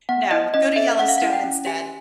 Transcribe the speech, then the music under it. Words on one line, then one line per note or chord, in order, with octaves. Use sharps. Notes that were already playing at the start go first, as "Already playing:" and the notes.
No, go to Yellowstone instead.
B3 F#5
E4 D#5
C#4 D#5
A4 E5
C#4 F#5
F5
F#5
E4
G5
C#4
G4 G#5